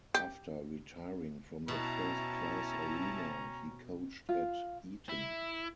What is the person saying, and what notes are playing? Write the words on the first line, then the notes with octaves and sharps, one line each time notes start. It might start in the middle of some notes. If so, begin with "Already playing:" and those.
After retiring from the first class arena, he coached at Eton.
G4
B2 C#4 E4 G5 A5 A#5
F4
E4